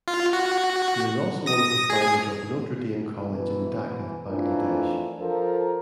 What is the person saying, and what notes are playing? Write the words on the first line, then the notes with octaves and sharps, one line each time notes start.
He is also one of the founders of Notre Dame College in Dhaka, Bangladesh.
F4
F#4
D#6 A#6
G#4
G#2 B2 E3
F2 E3 A3 D4 F4 A#4
F3 A4 A#4